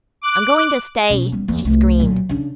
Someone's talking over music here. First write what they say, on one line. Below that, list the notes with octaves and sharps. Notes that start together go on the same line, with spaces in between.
"I'm going to stay!" she screamed.
D6 F#6
B2 C#4
G3 B3
E2 A#3
C2 A3
A#2 F#3
C#3 D4